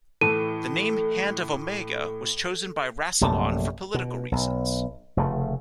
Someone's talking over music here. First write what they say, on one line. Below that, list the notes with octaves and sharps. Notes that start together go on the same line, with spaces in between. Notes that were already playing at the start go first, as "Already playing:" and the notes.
The name "Hand of Omega" was chosen by Rassilon for political reasons.
A2 E3 A4 D#7
A#1 F#2 C3 A3
B2
B1
F1 C#3 A3